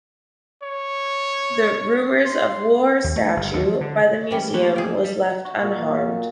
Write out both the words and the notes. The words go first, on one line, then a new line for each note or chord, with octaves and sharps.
The "Rumors of War" statue by the Museum was left unharmed.
C#5
C6
D#2
A3
G1
D#2
F3
D3
E3 G3 C#4
F3 A3 A#3 B4
G#4 G5
G3
F#4
A#2